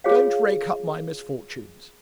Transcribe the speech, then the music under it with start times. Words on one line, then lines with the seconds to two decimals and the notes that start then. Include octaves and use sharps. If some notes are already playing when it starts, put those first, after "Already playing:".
"Don't rake up my misfortunes."
0.04 F4 G#4 C#5 F5